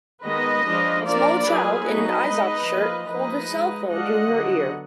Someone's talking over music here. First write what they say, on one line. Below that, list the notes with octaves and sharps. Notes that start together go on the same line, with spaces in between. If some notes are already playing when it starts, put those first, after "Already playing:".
A small child in an Izod shirt holds a cellphone to her ear.
D#3 G#3 B3 B4 D#5
F3 G#3 D4 F4
F3 A#3 D4 F4 A#4 D5
F#3 A#3 F4 G#4 B4
F#3 B3 D#4 B4 D#5
G#3 D#4
F3 A#3 F4
F3 A#3 D#4 B4 D#5
G#3 D#4
G#3 D4 F4 D#5 F#5
D3 F#3 B3